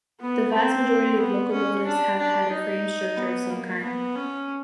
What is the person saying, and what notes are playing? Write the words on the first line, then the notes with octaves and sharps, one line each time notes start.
The vast majority of locomotives have had a frame structure of some kind.
B3
C4
B3
C#4
D4
D4
D#4
B3
A#3
B3
C#4